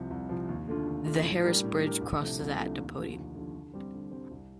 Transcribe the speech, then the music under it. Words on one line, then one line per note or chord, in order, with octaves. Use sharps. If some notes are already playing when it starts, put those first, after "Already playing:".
The Harris Bridge crosses at Dapodi.
Already playing: C2 C3 F3
C2
C3 F3
D#2
D3 A3 D4 F4
D#2
D3 A3 D4 F4
A2
G3 D4 G4 A#4
A2
G3 D4 G4 A#4
C2
C3 F3 A3 D4
C2
C3 F3 A3 D4
D#2
D3 F3
D#2
D3 F3
D3
G3 C4
D3
G3 C4
C2